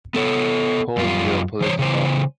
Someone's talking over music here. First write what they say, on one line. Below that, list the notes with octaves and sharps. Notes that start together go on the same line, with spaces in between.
Port Vue Police Dept.
B3 A4 C#5
F#2 G3 F4
E3 C5 C#5
C#3 E3 C5